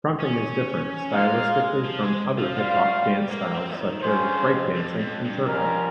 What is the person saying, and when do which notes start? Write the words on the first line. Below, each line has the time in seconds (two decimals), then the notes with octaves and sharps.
Krumping is different stylistically from other hip-hop dance styles such as Breakdancing and turfing.
0.20 C#4
1.12 G#3 A#3 F4 C5 F5
1.85 F3
2.03 G#3
2.39 F3
2.57 G3 F4 C5 F5
3.30 A#3
3.55 C4
3.78 D#3
4.02 G2 C#4 F4 G#4 C5
4.27 G2
4.52 F2
4.75 F2
4.99 F2
5.25 G2
5.48 F2 G3 C#4 F4 A#4